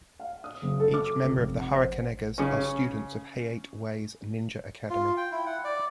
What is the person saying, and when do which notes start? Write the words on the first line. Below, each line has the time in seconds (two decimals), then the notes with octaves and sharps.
Each member of the Hurricanegers are students of Hayate Way's Ninja Academy.
0.20 F5
0.44 D#6
0.62 F#1
0.80 A4
0.94 D6
1.23 C#2
1.35 F1
1.60 F#5
1.73 C5
2.38 C#3 C#4
4.90 F4
5.17 G5
5.32 E4
5.46 F#5
5.64 D5